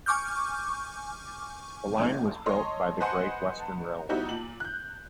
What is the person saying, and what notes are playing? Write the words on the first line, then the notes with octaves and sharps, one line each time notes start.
The line was built by the Great Western Railway.
G#5 C#6 D6 F6 G6
C#5 D#5 C6
B4 C5 D#5 F#5 G#5 C6
G3 B3 D#4 E4 F#4 G4
A#2 F#7
F#6 G6